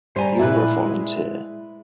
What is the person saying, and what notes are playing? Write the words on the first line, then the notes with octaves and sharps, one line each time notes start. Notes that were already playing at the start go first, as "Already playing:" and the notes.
You're a volunteer.
G3 C5 G#5 A#5
A#2 E4 B4
G#3